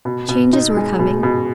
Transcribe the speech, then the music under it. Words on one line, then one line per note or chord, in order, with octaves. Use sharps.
Changes were coming.
B2
B2
D#4
G#3
B2
B2